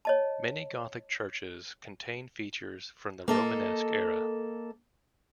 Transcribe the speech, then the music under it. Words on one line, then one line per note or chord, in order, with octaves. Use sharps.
Many gothic churches contain features from the romanesque era.
C#5 D#5 A5
A#3 A4 D#5